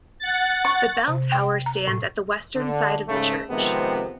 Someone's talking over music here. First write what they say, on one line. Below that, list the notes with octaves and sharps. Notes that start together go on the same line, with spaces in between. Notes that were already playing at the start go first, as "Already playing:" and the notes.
The bell tower stands at the western side of the church.
F#5 A6
C#6
C3
G5
A#5
A2
D3
G#2 C#3 A3
C3 D#3 F3 G#3 B3 C4